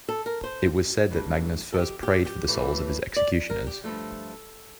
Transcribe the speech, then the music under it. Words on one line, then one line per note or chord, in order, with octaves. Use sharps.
It was said that Magnus first prayed for the souls of his executioners.
A4
A#4
C5
G2 E3 A3
A4
G4
G4
G4
A2 E3 A3
D5
A#4
G4
G2 F3 A3 A4